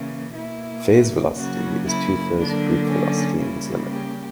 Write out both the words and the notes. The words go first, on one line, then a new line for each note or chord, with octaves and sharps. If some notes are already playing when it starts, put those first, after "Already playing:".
Phase velocity is two thirds of group velocity in this limit.
Already playing: C#3 E3 A#3
B2 A#3 E4
C#3 F#3 A#3 F#4
E4
D3 F#3 A#3 D4
C#4
C#3 G3 A#3 E4
G4